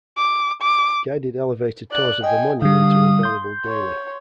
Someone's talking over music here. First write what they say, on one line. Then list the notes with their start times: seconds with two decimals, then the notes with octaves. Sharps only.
Guided elevator tours of the monument are available daily.
0.18 D6
0.63 D6
1.92 D5 F#6
2.24 D#5 G5 G#5
2.62 D3 G3 F5 D#6
3.23 C6 G6
3.66 C#5